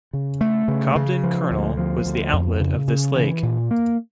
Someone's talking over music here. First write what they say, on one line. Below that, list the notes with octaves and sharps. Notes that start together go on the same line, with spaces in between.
Cobden Colonel was the outlet of this lake.
C#3
A3
C#3
C#3
F3
D2
F3
D2
F2
C#3
C#3
E3
A#2
A#3